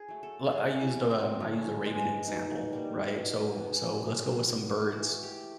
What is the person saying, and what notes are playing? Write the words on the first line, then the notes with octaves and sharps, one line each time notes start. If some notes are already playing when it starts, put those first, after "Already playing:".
li I used a um, I used a raven example, right? So so, let's go with some birds,
Already playing: G#4
F#3 A3
A4
C#3 G#4
E4
F#3 A3
C4
D3 C#4
F3 G#3 B3
B2 D#4
G3 A#3
B2
G#3 B3
C3
D#3 F#3
E3 F#4
G4
A3